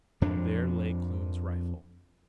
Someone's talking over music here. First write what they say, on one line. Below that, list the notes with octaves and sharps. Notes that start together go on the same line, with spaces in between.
And there lay Kloon's rifle.
F2 F3 D4